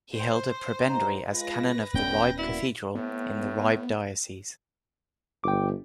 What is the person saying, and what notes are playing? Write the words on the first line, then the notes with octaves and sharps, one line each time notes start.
He held a prebendary as canon of the Ribe Cathedral in the Ribe diocese.
C5
G#2 A#5
G#3 F4 B4 A#6
D#1 D2 B3 C#4 G5
A#3 E4 F#4 D5
A2 B3
G1 G5 D6